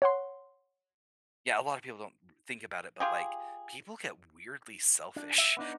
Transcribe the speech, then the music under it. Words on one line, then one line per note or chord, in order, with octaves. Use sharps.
yeah, a lot of people don't think about it, but, like, people get weirdly selfish
C#5 F#5 C6
F4 G4 G#4
D4
E5
B3 D4 D#4